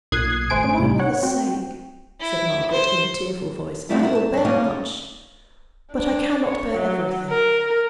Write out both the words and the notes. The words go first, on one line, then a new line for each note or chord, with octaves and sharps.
'For my mother's sake,' said Margaret, in a tearful voice, 'I will bear much; but I cannot bear everything.
B1 A#2 D#6 F#6 G#6 C7
G#1 A3 C5 G#5 D7
C2 A2 C3 G3
C#5 F#5
C4 F#4 G5
E4
C5
F#3 G3 A3 C4 E4 F4
E4 F#4 A#4
A5
F#3 D5
A#3 C#4 D#4 F#4
D3
D4
C#5
F#3
A#4